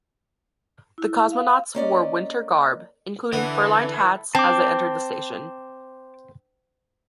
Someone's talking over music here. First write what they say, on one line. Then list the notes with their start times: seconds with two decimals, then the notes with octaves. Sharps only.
The cosmonauts wore winter garb, including fur-lined hats, as they entered the station.
0.98 E4
1.32 F5
1.75 A#3 C#4 D5 D#5
3.33 D3 E3 B3 E4 A4
4.35 C4 A5 D6